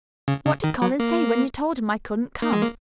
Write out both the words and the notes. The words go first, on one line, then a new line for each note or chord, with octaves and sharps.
"What did Colin say when you told him I couldn't come?"
C#3
C#3
D#3
F#3
A#3
A#3
G#3
A#3